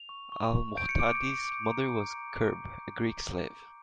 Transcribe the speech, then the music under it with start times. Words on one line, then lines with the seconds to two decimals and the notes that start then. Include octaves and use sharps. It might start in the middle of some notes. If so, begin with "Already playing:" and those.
Al-Muhtadi's mother was Qurb, a Greek slave.
Already playing: F7
0.09 C#6
0.32 C#6
0.55 C#6
0.77 G6 D7
0.89 C#7
0.99 D6 D7
1.22 D6
1.45 D6
1.67 A#5
1.90 A#5